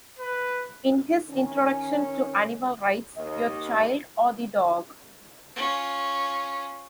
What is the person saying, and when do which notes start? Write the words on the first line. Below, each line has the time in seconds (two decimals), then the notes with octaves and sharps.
In his Introduction to Animal Rights: Your Child or the Dog?
0.19 B4
1.30 D#3 C#4
3.16 D#2 D#5
5.56 C#4 F4